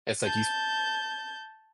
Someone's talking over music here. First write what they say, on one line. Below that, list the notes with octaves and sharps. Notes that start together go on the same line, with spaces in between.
It's like you s
A5 G6